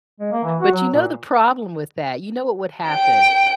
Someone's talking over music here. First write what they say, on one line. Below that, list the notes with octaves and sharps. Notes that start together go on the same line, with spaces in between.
but you know the problem with that, you know what would happen,
G#3
A#3
E3
F#4
F#3
A#2
G5 D7